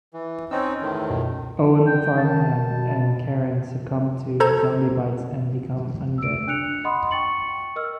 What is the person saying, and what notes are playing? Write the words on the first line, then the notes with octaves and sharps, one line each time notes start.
Owen the farmhand and Karen succumb to zombie bites and become undead.
E3
C4 C#4 D#4 E6
E2 A2 D#3
C#2 F#2 B2
G5
D#3 A5
B2
A4 C5 A#5 G#6
E6 D7
D4 F#6 C#7 F7
D#5 F#5 B5 C6 D#6
G5 C#6 A6 C#7 F#7
A#4 D#5 E6 F6